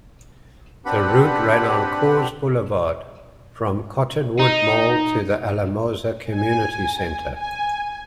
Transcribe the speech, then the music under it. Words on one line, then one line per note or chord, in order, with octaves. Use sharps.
The route ran on Coors Boulevard from Cottonwood Mall to the Alamosa Community Center.
C4 D4 G4 B4 F#5 B5
D#4
G#5
G#5
G#5